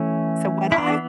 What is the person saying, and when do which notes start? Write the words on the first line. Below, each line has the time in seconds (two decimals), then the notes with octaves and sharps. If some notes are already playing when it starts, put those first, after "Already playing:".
So, what I
Already playing: E3 A3 C#4
0.72 E4
0.78 E3 B3 D4